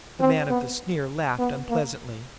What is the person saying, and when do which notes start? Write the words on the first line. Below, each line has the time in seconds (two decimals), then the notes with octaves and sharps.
The man of the sneer laughed unpleasantly.
0.21 C4
0.49 B3
1.39 B3
1.69 A#3